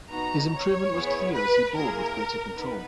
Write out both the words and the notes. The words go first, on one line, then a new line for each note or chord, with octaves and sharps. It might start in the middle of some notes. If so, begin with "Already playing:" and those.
His improvement was clear as he bowled with greater control.
B3 D#4 F#4 A#5
C#5
B3 E4 G#4
B4
A#3 E4 G#4 A#4
B3 D#4 B4